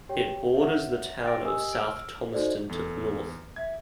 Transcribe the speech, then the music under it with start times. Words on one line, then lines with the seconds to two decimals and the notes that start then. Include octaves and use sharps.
It borders the town of South Thomaston to the north.
0.09 G4 C#5 G5
0.55 C#5 E5 F#5
1.24 G5 D6 A6 A#6 D7
1.44 G4 A#4 D#5 G#5 D#6 E6
1.73 E6 F6 D7
2.33 D#4 F#4 A4 C5 D5 D#5
2.69 E2 A4
3.56 E5 G#6